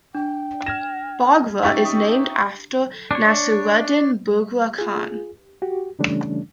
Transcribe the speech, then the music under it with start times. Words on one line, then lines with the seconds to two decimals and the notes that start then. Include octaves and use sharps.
Bogra is named after Nasiruddin Bughra Khan.
0.15 D4 G5
0.66 F6 G#6 A#6 E7
1.63 C#4 D#4 G4 E5 G5 C#6 A6
1.85 D#6
3.11 D4 C#5
4.78 F4 G#4
5.62 F#4 G4
5.99 C#3 E3 G3 A3 C#4 D4